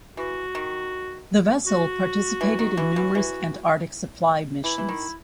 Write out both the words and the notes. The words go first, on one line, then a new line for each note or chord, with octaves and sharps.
The vessel participated in numerous Antarctic supply missions.
E3 F#4
D#3
F#4
E3
D#3
E3
E3
E3
E3 E4
E3
D#3